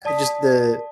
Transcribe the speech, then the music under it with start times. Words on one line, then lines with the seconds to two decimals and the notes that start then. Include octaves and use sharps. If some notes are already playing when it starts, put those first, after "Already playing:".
uh, just the
0.05 D5 A5 D#6 B6